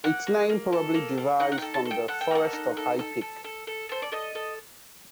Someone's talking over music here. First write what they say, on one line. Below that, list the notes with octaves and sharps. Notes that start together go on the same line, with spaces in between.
Its name probably derives from the Forest of High Peak.
A#3 F#5
A#3
A#3
A4
A#3
A#3
D#4 F#5
F#5
G5
A4
A5
A4
G5
A4 F#5
G5
A#3 F#5
D#4
A4
A4
A4
A4
A4
A4 C5
D5
A4 D#5
A4